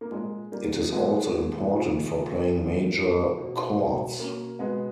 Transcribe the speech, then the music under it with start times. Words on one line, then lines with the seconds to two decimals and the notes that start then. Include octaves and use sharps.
It is also important for playing major chords.
0.01 A#3
0.11 A#2 G#3
0.52 A#2 G3 A#3
0.92 A#2 G#3 B3
1.33 A#2
1.74 A#2
2.15 A#2
2.56 A#2
2.96 A#2
3.38 B2
3.78 B2
4.19 B2 A#3 C#4
4.59 B2 G#3 B3